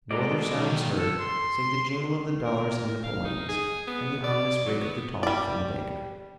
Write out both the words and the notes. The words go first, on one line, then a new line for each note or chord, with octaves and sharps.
No other sound was heard save the jingle of the dollars and napoleons, and the ominous rake of the tall, thin banker.
B2 G#3 F#4 A4 D5 D#5 A#5
B1 D#3
A4
C6
A#4
F5
D#4
G#4
B3
D5
F#3
B3
G3 D5